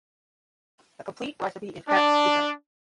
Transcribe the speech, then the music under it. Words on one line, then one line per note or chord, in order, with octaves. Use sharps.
The complete recipe is kept secret.
D4